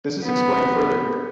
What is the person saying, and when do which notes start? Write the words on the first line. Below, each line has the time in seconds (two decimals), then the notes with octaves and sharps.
This is explained further here.
0.25 B3